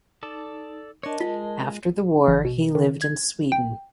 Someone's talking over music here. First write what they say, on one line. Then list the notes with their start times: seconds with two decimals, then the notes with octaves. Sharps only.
After the war he lived in Sweden.
0.23 D#4 A4 D5 A5
1.03 D4 A#4 C#5 D#5 A5
1.20 G#3 F4
2.28 A1
2.45 B2
2.75 D#3
3.02 G#6
3.52 G5